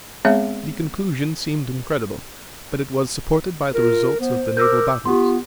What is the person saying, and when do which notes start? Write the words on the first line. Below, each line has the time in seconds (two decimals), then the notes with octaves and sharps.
The conclusion seemed incredible, but it was supported by the results of the naval battles.
0.25 G#3 B3 C4 G#4 C#5 E5
3.74 F4 A#4
4.20 B3 C5
4.57 A#4 D6 E6 G6
5.05 B3 F4 G4 C6